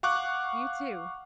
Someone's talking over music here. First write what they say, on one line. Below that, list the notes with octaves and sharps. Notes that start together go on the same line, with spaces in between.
You, too.
F5 F#5 C#6 D6 F#6